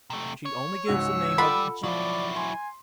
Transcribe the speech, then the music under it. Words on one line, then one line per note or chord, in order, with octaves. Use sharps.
She only gives the name of 'G.
C3 A3
C#5
C#2 G#2 F#4 E6
G3 F4 A4 F#5 B5
F3 F#3 E4 D5
G#5 C6